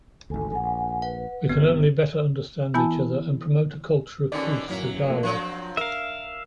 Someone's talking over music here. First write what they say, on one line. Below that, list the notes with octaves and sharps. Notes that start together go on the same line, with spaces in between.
We can only better understand each other and promote a culture of peace through dialogue.
G#1 D2 A4 G#5
A#1 F#5 G#5
B4 F#5
G1 C3 B3
E3 B3 E4 G#5 A5
B2 D3 D#3 C#4 D5
A1 F#2 F#3 A#3 B6
A#2 F3 A3
F3 F#3 C4 D4
A#4 E5 F5